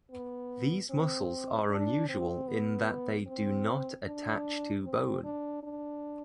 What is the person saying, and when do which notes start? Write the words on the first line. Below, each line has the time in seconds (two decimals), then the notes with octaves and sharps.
These muscles are unusual in that they do not attach to bone.
0.12 B3
0.90 C4
1.70 D4
2.09 C4
2.48 B3
3.27 C4
4.05 D4
4.84 C4
5.24 D4
5.63 D4